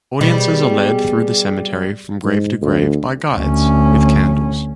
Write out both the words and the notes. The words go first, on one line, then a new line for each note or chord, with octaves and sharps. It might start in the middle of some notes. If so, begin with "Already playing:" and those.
Audiences are led through the cemetery from grave to grave by guides with candles.
B2 G3 G#4
G#2
D2
D2 C#4